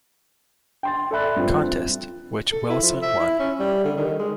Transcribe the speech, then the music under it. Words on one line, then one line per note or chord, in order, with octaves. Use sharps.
Contest, which Wilson won.
G5 C6 A6
A4 D5 E5 B5 F#6
G2 F3 C4
A4
E4
F3
E5
E4
C#4
G3
D3
D#3
G#3